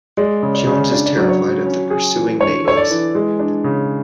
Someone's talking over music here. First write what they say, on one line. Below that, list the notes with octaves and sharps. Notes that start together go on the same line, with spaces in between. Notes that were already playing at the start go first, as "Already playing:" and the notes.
Jones is terrified of the pursuing natives.
G#3 D5
C#3
D5
C#3
D5
D4 D5
D5
F#3 D5
C#5
F#3
C#4
G#4
E3
D4 C#5
A4 C#5
D5
E3
G#3
D4
C#3